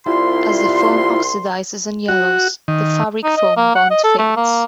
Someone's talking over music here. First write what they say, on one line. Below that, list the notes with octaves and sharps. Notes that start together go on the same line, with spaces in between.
As the foam oxidizes and yellows, the fabric-foam bond fails.
C2 E4 F4 C6
F#4
D#3
D#4
D#5
A#3
F#5
D#5
A4
A3
A#3